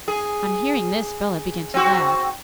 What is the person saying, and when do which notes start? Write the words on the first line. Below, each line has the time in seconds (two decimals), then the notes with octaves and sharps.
On hearing this Bellah began to laugh.
0.08 G#4
1.74 C4 F#4